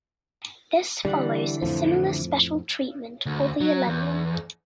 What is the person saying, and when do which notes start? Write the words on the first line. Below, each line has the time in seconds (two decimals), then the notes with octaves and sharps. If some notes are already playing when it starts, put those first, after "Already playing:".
This follows a similar special treatment for The Elenium.
1.05 D3 E3 G3 F#5
1.62 F2 A2 F3
3.26 D2
3.61 F#3
3.87 E2